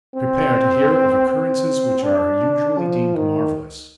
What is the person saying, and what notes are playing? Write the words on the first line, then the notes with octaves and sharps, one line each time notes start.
Prepare to hear of occurrences which are usually deemed marvellous.
C4
C4
D4
F3
D#3